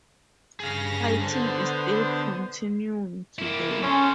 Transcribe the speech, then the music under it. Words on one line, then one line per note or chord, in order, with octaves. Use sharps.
Fighting is still continuing today.
G2 G#4 F5 A#6
D3 B3 C5
A#3 E4
C#4 A4 C5